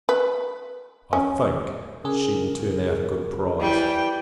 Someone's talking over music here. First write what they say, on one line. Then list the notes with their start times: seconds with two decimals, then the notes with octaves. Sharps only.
I think, she will turn out a good prize.
0.09 B4
1.13 C#4
2.04 C#3 G#4 A#4
3.60 E3 G3 E4 G5